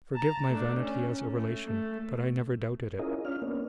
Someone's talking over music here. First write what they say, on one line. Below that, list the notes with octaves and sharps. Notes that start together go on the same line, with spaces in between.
Forgive my vanity as a relation, but I never doubted it.
A5 A#5
A3 D4
C#4
A3
A3
C#4 E4 F4 G#4 A#4 D#5
C#4 D4 F4 F6
A#3 B3 C#4 D4